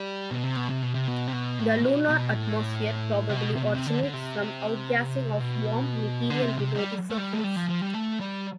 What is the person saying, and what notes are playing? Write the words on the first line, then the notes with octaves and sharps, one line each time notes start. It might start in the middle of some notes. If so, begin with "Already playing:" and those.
The lunar atmosphere probably originates from outgassing of warm material below the surface.
Already playing: G3
B2
C3
B2
C3
B2
C3
B2
C3
B2
A2
B2
B2
A2
C3
B2
C3
B2
C3
D3
D3
C3
B2
D3
C3
C3
G3
A3
G3
A3
G3
F3
F3
G3
A3
G3